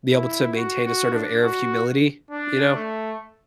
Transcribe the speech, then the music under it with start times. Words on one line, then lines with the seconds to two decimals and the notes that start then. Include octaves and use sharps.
be able to maintain a sort of air of humility, you know,
0.11 E4
0.56 F#4
0.85 F#4
1.13 D4
1.43 F#4
2.31 D4
2.75 A3